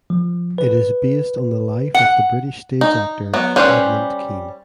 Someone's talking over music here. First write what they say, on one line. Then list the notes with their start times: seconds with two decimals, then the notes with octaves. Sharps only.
It is based on the life of the British stage actor Edmund Kean.
0.10 F3
0.58 B4
1.94 F#5
2.81 D#4
3.34 F#3 B3
3.56 G3 C#4 B4 C5